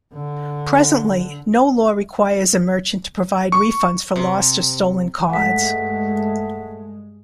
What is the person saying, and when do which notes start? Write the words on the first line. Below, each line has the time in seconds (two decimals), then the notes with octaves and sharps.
Presently, no law requires a merchant to provide refunds for lost or stolen cards.
0.13 D3
3.52 C#6
4.16 C3
5.30 G2 G#3 A3 F#5 B6